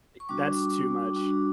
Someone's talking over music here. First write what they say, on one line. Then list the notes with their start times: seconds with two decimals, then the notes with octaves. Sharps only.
I that's too much.
0.20 C#6
0.29 G3 D4 F#4 D6
1.16 G3 D4 F#4